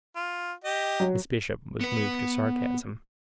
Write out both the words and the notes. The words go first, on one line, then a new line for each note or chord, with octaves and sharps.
Miss Bishop was moved to sarcasm.
F4
G4 D#5
F#3
B3 B4